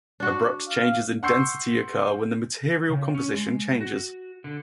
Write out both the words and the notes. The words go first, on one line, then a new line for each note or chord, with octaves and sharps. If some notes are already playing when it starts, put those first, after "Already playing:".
Abrupt changes in density occur where the material composition changes.
D4 F#4
F5
F#5 C6 C#6 E6 G6 C7
C#3
C#4
G#3
F#4
D3